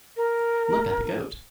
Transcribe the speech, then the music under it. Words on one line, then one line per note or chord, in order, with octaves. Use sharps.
Look at the goat!
A#4